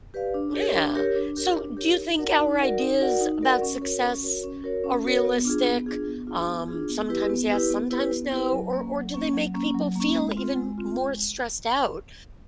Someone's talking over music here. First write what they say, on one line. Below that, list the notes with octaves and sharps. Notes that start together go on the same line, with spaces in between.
Yeah. So, do you think our ideas about success are realistic? Um, sometimes yes, sometimes no? Or or do they make people feel even m more stressed out
G4 B4 D5 F5
D4
G4 A#4 C#5
D4
G4 A#4 C#5
D4
G4 A#4 C#5
D4
G4 A#4 C#5
D#4
F#4 A#4 D5 F#5
D#4
F#4 A#4 D5 F#5
D#4
F#4 A#4 D5 F#5
D#4
F#4 A#4 D5 F#5
C#4
F#4 A#4 C#5
C#4
F#4 A#4 C#5
C#4
F#4 A#4 C#5
C#4
F#4 A#4 C#5
B3
D4 F4 G#4
B3
D4 F4 G#4
B3
D4 F4 G#4
B3
D4 F4 G#4
B3
E4 G4 B4
B3
E4 G4 B4
B3
E4 G4 B4
B3
E4 G4 B4
F#3
A#3 C#4
F#3
A#3 C#4
F#3
A#3 C#4
F#3
A#3 C#4
G#3
C4 F4
G#3
C4 F4
G#3